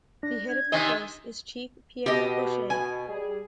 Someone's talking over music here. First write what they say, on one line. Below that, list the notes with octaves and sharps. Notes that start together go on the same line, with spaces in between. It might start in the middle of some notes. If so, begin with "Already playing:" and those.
The head of the force is Chief Pierre Brochet.
D4 A#6
G#6
C3 D#3 D#5 G#5
B2 G4 D#5
B2 G#5
G3 G#4